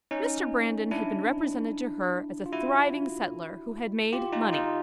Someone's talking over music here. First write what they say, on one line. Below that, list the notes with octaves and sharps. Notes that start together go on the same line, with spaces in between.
Mr. Brandon had been represented to her as a thriving settler who had made money.
C#4 D#4
D4 E4
F4
E4 F#4
F4 G4
D#4 F4
D#4 F4